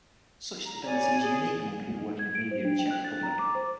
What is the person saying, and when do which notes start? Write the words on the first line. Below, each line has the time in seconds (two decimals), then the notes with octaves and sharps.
Such stability is unique among people working in media in the Czech Republic.
0.64 A#5
0.84 C#5 D5 G#5
1.21 G#4
2.19 G#6
2.35 D7
2.51 C5
2.65 D4
2.79 G5
2.91 F#6
3.04 A6
3.23 A#5
3.39 D6
3.55 C5